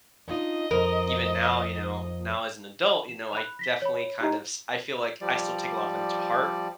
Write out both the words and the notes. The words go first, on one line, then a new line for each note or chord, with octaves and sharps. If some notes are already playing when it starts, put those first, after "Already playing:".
even now, you know, now as an adult, you know, I definitely kind of s I feel like I still take a lot of them to heart,
D4 D#4 F4 D#5
F2 A#4 C5
E7
B5 F#6 F7
A#6 B6 G7
C#5 B5
D#4 E4 G4 D#5 A#5
F3 G3 D5